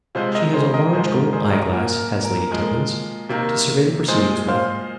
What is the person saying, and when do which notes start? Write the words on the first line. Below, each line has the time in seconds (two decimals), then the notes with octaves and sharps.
She has a large gold eye-glass, has Lady Tippins, to survey the proceedings with.
0.15 C3 F3 G#3 C5 F5
0.34 A#4 D#5
0.54 G#4 C5
0.74 A#4 D#5
0.93 G#2 F3 G#3 G#4 C5
1.14 A#4
1.33 G#4 C5
1.53 A#4 D#5
1.72 A#2 F3 A#3 A#4
1.99 A#4
2.25 A#4
2.51 A#2 F3 G#3 A#4
3.29 C3 D#3 A#3
4.08 A#2 F3 G#3 G#4 C5
4.48 C5 F5